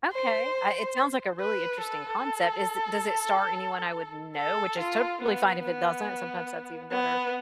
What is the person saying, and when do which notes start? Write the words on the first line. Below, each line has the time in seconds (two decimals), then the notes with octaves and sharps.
Okay, I it sounds like a really interesting concept is does it star anyone I would know? Which is totally fine if it doesn't, sometimes that's even better.
0.13 C5
1.40 B4
1.82 A4
4.36 A4
4.79 F4
5.22 B3
5.63 B3
6.91 B3